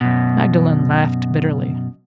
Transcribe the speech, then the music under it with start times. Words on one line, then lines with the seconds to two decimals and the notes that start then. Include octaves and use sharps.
Magdalen laughed, bitterly.
0.01 F#2 B2